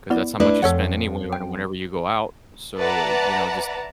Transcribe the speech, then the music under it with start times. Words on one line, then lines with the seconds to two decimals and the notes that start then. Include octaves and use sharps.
'Cause that's how much you spend anyway on a whenever you go out. So, eh, you know, just
0.10 B3 E4 D5
0.40 A3 D4 E4 B4
0.62 F2 A4 C#5 F#5
1.33 G5
2.78 B4 D5 E5 F#5 A5 A#5